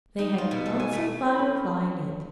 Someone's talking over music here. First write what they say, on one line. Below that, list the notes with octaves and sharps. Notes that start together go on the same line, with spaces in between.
They had lots of fun flying it.
D#4
F4
B2
A4
G#5
A3
C#4 B5